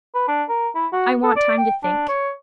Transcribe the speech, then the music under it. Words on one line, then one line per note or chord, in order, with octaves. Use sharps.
"I want time to think."
B4
D4
A#4
E4
F#4
A4
D5
G5
D4
C#5